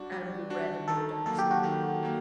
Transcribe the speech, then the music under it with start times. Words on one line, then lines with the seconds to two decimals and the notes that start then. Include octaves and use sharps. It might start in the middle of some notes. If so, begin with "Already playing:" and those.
Adam grew red and moved uneasily.
Already playing: G3 D4 F#4 D5
0.12 G3
0.50 D4 F#4
0.88 D#3 A4
1.26 F#3 A#3 A4
1.38 G4
1.51 F#4
1.63 D#3 G4
2.03 F#3 A#3